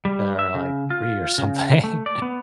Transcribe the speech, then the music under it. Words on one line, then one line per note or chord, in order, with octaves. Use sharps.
that are, like, free or something,
G3
E5
C#3
F4
C#3
A3
D5
B3